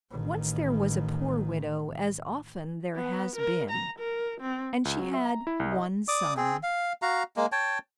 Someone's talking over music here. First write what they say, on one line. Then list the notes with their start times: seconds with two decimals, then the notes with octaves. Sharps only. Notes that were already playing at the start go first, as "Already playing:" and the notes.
Once there was a poor widow, as often there has been, and she had one son.
0.11 A1 D#3
2.96 B3
3.36 A#4
3.71 A#5
3.99 A#4
4.41 C4
4.85 C#2
4.99 F#3
5.14 E5
5.26 A#5
5.47 E4
5.60 C2
5.72 D#5
6.08 D5 D6 D#6
6.37 C4 G#4
6.63 F5
7.02 F#4 F5 A#5
7.36 G#3 A#3
7.52 C#5 G5 A5